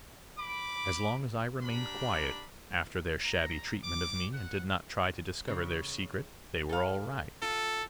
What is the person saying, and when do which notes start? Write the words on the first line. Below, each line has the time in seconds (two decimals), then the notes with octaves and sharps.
As long as I remained quiet, after their shabby treatment of me, and did not try to discover their secret, they were all right.
0.39 B5 D6
1.63 D4 G4 A#4 B5
3.24 A#5
3.84 D6
4.33 F#5
5.48 C#3
6.69 A4 F5
7.42 F4 A4